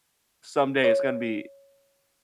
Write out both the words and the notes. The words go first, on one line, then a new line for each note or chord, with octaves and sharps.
someday is gonna be
C#5